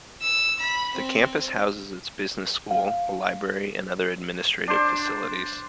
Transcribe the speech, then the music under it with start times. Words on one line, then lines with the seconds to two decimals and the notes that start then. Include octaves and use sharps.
The campus houses its business school, a library, and other administrative facilities.
0.21 E6
0.59 B5
0.95 C4
2.71 F5
4.68 D4 C5